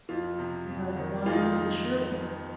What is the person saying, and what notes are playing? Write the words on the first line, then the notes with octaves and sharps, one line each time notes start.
'But why Mrs Sherwin?
F2 F4
C3
F2
D#3
F2 F4
D#4